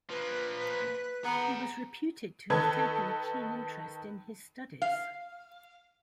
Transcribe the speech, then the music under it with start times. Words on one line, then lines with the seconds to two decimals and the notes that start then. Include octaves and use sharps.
He was reputed to have taken a keen interest in his studies.
0.10 F3 A#3 B4
1.25 B3 G#4 A#5 B5
2.50 D#3 A4 B4 G#6
4.82 F5